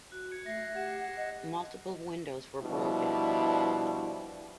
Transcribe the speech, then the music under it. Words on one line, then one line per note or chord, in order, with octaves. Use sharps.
Multiple windows were broken.
F#4 F#6
G#6 C#7
A3 E5 A#6 C7
G4 F#5 G#6 E7
D#5 F#5 C#7
B2 F3 G3 D4 E4